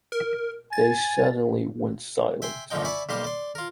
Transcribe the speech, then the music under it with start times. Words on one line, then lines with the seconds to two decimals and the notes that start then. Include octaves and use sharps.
They suddenly went silent.
0.12 A#4
0.73 G#5 A6
2.42 E5 G5 G#5 C6
2.70 A1 F#2 D3 F3 D#4 G5
2.85 D5 E5 G#5 B5 C#6
3.09 B1 G3 A#3 G4 C6
3.24 D5 C6
3.55 F4 A#4